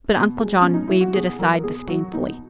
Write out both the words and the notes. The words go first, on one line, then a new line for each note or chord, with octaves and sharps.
But Uncle John waived it aside disdainfully.
B2
G#3
B2 C#4
D#4
F#3 E4
F#4
B2 G#4
F#3 A#4
B2 G#4
F#3 F#4
B2 D#4